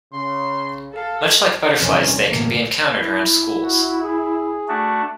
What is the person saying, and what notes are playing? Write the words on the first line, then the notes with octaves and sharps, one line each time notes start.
Much like butterflies, they can be encountered around schools.
C#3 C6
A4 F5
E2 C3 D#3 G3 C4 C#4
G1 E2 A2 C3 A#3
E4
F#4
G#4
A3 D4 F#4